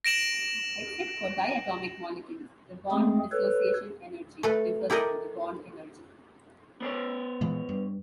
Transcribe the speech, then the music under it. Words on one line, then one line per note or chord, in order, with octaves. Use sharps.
Except for diatomic molecules, the bond-dissociation energy differs from the bond energy.
A#6 D7 E7 F#7
G#3 A3 C4 G#4
A4 B4 C#5
A3 A4 B4
E4 G4 A4 A#4 D5 D#5
B3 C5 C#5
A#2 E3 G#3
G2